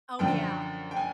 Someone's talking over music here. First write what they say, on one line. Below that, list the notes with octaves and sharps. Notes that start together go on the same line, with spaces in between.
Oh, yeah,
F#2 D3 F3 G5
G5
G#5